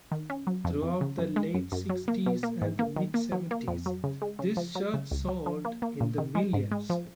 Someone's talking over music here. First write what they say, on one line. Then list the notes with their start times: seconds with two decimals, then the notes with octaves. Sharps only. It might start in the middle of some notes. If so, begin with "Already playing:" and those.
Throughout the late sixties and mid seventies this shirt sold in the millions.
0.11 D#3
0.30 C#4
0.47 F#3
0.65 F2
0.82 F2
1.01 C#3
1.18 F#2
1.36 G#3
1.54 F#2
1.72 F#2
1.90 F#3
2.08 A#3
2.26 B2
2.43 A#3
2.62 G#2
2.79 A#3
2.96 D#3
3.14 A#3
3.32 F#3
3.51 A#3
3.68 F2
3.86 F#3
4.04 C#3
4.22 G#3
4.39 C#3
4.57 F3
4.75 F#3
4.94 C#3
5.11 C#2
5.28 F#3
5.46 F3
5.65 A#3
5.82 A#3
6.00 A#2
6.18 D#3
6.35 G#3
6.53 G#2
6.71 G#3
6.90 F3